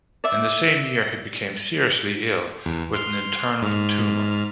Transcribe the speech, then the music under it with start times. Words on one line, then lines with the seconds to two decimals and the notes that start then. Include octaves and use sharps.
In the same year he became seriously ill with an internal tumour.
0.24 D5 E5
2.66 E2
2.94 C6 F6
3.62 G#2 F6